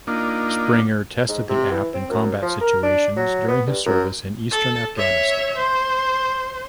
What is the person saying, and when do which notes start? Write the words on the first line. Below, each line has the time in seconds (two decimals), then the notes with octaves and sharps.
Springer tested the app in combat situations during his service in eastern Afghanistan.
0.07 A#3 D4 D#4 F4
1.28 G#2
1.49 C3
1.71 E3
1.94 C4
2.10 F#2
2.42 F3
2.61 A#4
2.83 D4
3.17 F#3
3.48 B3
3.67 G2
3.86 F#2
4.51 A4
4.97 C#5 E5
5.56 C5